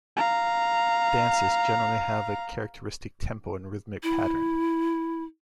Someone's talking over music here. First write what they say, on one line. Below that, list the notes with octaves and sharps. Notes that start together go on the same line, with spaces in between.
Dances generally have a characteristic tempo and rhythmic pattern.
F5 A#5
E4